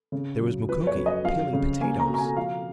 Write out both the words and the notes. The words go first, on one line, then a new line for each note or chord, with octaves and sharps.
There was Mukoki--peeling potatoes!
C#3
F#2
F3 B4
C#5
F#2
D#5
F3 F5
C#3
A#3 G#5
A#5
B2
A#5
G#5
F3 F5